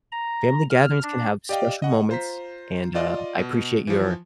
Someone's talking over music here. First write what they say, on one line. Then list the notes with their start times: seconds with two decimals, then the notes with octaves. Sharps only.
family gatherings can have special moments and, uh, I appreciate your
0.12 A#5
0.70 F6
1.03 D4
1.49 G4 D5 D#5 F5 G5
1.82 D#5 F#5
2.09 F4 C5 A#5 B6
2.95 F4 D5 D#5
3.39 B2
3.87 E3 F3